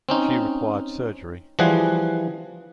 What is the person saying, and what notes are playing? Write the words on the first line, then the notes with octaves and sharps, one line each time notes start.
She required surgery.
C4 C#4 D#4
E3 F3 G3 G#4 F#5